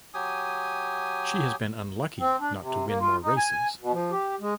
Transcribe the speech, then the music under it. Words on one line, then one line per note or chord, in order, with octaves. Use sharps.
She has been unlucky not to win more races.
F#3 G4 G#5 D#6
C4
D4
C3
A#3
F4
D#4
G#5
B2
F3
G4
G#3